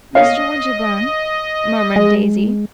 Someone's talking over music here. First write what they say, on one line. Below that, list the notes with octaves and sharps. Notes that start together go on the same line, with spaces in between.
"Mr. Winterbourne!" murmured Daisy.
C#5 D#5 F5
G#3